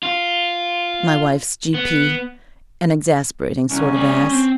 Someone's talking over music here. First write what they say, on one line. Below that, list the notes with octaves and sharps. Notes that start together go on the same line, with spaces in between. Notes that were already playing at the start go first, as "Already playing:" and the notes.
My wife's G.P.--an exasperating sort of ass.
F4
B3
C2 C#4
G#3 D5
C4